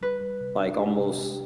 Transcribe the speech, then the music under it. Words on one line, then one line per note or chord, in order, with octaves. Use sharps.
like, almost
G3 B4
G3
C3
D4
G4
C3
G4